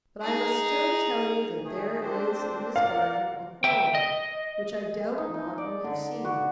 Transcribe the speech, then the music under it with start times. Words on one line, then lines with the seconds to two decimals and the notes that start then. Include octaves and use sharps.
But I must still tell you that there is in this garden a horn which I doubt not you have seen.
0.22 D#4 G#4
1.64 D#3 A3 G#4
2.01 C4 D4 C5
2.76 A#4 D5 F5 F#5
3.64 E5 G5
3.95 D#5
5.18 D#4
5.34 D#4
5.58 D5
5.84 D3
6.25 F#4